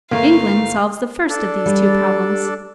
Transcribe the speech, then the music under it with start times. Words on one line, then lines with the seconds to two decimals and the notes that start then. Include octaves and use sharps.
England solves the first of these two problems.
0.11 G1 A3 A#3 A#4 F5
1.29 D4 A4 D5
1.66 G3